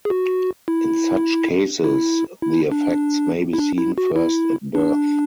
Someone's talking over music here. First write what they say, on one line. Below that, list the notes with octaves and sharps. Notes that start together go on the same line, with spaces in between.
In such cases, the effects may be seen first at birth.
G#4
F#4
E4
E4
E4
D4
E4
D4
E4
F#4
E4
D4